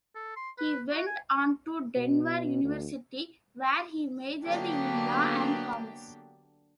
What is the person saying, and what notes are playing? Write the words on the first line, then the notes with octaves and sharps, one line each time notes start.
He went on to Denver university, where he majored in law and commerce.
A4
C6
B4
F#4
G#5
B2
D2
D3 F#3 A#3 B3 D4 G4